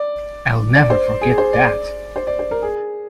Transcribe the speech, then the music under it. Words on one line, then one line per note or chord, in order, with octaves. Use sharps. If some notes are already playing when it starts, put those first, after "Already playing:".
I'll never forget that.
Already playing: D5
D5
C5
G#4
C5
D5
C5
D5
C5
A#4
G#4